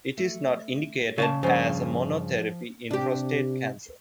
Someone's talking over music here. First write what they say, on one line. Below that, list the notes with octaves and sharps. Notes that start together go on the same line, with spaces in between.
It is not indicated as a monotherapy in prostate cancer.
A3
C#3 F5 A5
G2 C#3 F3 G#5
C3 D4 G4